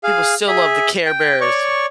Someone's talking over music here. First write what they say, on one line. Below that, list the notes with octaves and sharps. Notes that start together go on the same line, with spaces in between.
People still love the Care Bears.
G#4 F5
G#4 E5
G5
C#5 D5 C#6